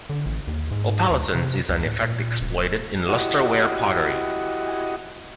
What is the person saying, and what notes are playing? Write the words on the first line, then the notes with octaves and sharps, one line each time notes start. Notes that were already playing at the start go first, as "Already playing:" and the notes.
Opalescence is an effect exploited in lustreware pottery.
D3
A1
D#2
G#2
D2
C3
C#2
A2
A#2
D1
E4 F#4 G4 D#5 F#5